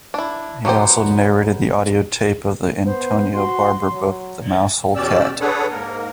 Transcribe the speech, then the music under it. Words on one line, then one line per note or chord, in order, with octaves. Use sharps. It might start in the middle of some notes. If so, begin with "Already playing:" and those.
He also narrated the audio tape of the Antonia Barber book "The Mousehole Cat".
D4 E4
F#3 B3 G4 C5
B3 C5
F#4 C6
F#3
E2 B2 C#4 G4 D5 E6
D4 G#4 A4 B4 C#5 F#5
G#2 A#3 A#4